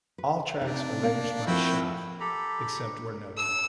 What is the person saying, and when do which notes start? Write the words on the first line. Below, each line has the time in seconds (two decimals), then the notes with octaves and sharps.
All tracks arranged by Schaft, except where noted.
0.18 B4
0.61 C3 D4 D#4
1.03 A#3
1.47 F3 C4 E4 F#4 A4 G5
2.20 G4 A4 A#5 B5
3.38 E6